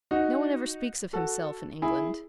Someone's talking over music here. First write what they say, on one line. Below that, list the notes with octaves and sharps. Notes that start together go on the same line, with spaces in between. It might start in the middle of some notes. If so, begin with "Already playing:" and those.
No one ever speaks of himself in England.
D#4 F#4
F#4 A4
E4 G#4